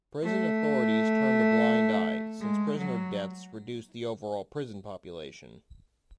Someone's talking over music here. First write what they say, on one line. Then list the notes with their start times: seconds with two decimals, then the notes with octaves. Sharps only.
Prison authorities turned a blind eye, since prisoner deaths reduced the overall prison population.
0.23 A3
2.41 G#3
2.78 F#3